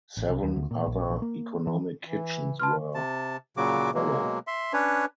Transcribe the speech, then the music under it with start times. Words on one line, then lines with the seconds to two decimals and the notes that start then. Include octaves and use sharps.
Seven other Economic Kitchens were to follow.
0.17 A1
0.29 C2
0.43 D#2
0.56 D2
0.71 A#2
0.87 A#1
1.09 A#1
1.22 A#3
1.67 E3
2.04 E3
2.59 B4 A5 C6 F6
2.95 C3 A5
3.57 A#2 C#3 F#3 F#4 D6
3.95 B2 F#3 G#3 A#3
4.47 E5 C6
4.73 C#4 D4 B4 C#5